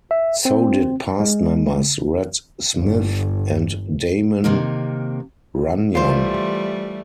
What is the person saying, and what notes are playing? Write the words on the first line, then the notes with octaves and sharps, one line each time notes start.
So did past members Red Smith and Damon Runyon.
E5
C4
G#3
G1
C3 D#3 A#3
E3 G3 A3 F4 C5